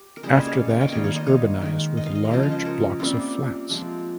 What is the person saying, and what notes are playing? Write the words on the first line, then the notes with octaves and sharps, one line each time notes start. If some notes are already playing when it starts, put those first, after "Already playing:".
After that it was urbanized with large blocks of flats.
Already playing: G4
A#4
C#3 G3 A#3 G#4 C5
C5 D#5
C#5 F5
C#5 F5
D#5 G5
D#3 G3 A#3 C#5 F5
C#5 F5
C5 D#5
C#5 F5
D#3 G#3
D#5
F5
D#5
F5
C#3 F3 G#3 D#5
F5
C5 D#5
A#4 C#5
C3 G3 A#3 C#4 F4
C3 F3 G#3